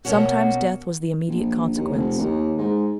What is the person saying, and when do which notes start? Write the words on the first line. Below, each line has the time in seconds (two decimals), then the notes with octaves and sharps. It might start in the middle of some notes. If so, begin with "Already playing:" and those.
Sometimes death was the immediate consequence.
0.05 B2 A#3 C#4 F#4
1.28 A#1
1.76 D#2
1.91 F1
2.18 D#2
2.58 G#2